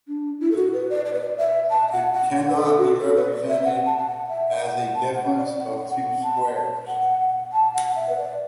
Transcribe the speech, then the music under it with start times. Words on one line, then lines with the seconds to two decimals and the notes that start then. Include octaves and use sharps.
It cannot be represented as a difference of two squares.
0.08 D4
0.40 E4
0.51 A4
0.57 F#4
0.73 B4
0.90 D5
1.05 D5
1.13 B4
1.21 D5
1.38 E5
1.70 A5
1.88 E5
1.92 F#5
2.13 F#5
2.35 F#5
2.49 B4
2.56 A4
2.78 F#4
3.00 A4
3.16 B4
3.32 D5
3.48 E5
3.64 F#5
3.86 A5
3.98 A5
4.07 F#5
4.29 E5
4.62 F#5
4.94 A5
5.15 F#5
5.37 D5
5.58 F#5
5.91 F#5
6.23 A5
6.55 A5
6.88 F#5
7.52 A5
7.74 F#5
7.96 E5
8.09 B4
8.17 D5